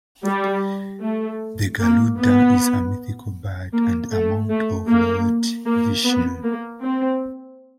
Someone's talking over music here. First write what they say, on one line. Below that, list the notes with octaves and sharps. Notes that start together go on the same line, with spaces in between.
The Garuda is a mythical bird and the mount of Lord Vishnu.
G3
A3
A#3
B3
A#3
A3
A3
A#3
A#3
B3
A#3
C4